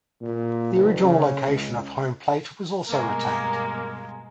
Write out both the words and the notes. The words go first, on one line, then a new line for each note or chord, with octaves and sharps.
The original location of home plate was also retained.
A#2
F#1
C#3
C#2
G2 B2 G#3 A#3 A#4